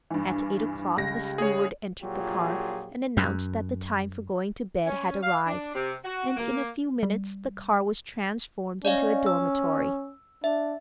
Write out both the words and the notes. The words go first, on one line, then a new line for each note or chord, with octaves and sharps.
At eight o'clock a steward entered the car and announced that the time for going to bed had arrived; and in a few minutes the car was transformed into a dormitory.
G2 E3
C#2 G3 A#6
G#4 C#5
A#1 A#2 F#3 F4 G4 G#4
F#2
C#4
F5
D4
C3
F#4
A#3
G3
C#4 D5 D#5 F5
E6
D4 E5